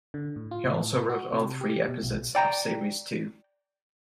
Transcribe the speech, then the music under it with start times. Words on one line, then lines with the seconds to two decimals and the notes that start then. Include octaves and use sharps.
He also wrote all three episodes of series two.
0.14 D3
0.36 A2
0.51 F4
0.65 A2
1.09 F#4
1.32 C3
1.61 G4
1.89 B2
2.04 B1
2.35 D5 G5 A#5